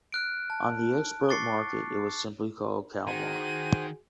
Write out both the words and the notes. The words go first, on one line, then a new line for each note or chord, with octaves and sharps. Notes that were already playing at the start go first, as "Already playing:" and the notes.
On the export market it was simply called Kalmar.
F6 F#6 D7
A5
C#6 D6 A6 C7 C#7
D#3 F#4 G#4 C5 G5 G#5 D#7